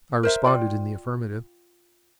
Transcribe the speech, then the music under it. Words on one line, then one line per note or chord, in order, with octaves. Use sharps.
I responded in the affirmative.
A#4 C5 E5
F4 D5 G5